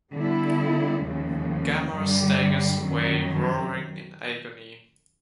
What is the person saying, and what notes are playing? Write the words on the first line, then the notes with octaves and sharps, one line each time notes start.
Gamera staggers away, roaring in agony.
D3 G3 B3 E4
D#2 C#3 F3 G#3
G2 D3 G3
F#2 D#3 F#3